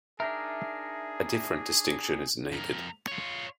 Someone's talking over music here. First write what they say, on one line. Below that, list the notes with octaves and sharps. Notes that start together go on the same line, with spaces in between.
A different distinction is needed.
D4 D#4 G#4 A#4 E5
F2 A#4
F4 C#5